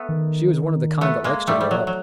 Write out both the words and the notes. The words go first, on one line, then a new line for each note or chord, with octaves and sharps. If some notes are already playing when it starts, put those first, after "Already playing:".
She was one of the kind that likes to grow up.
Already playing: A3 B3
D#3
A3 B3
G#3 A#3
G3 A3
G3
F#3
F#3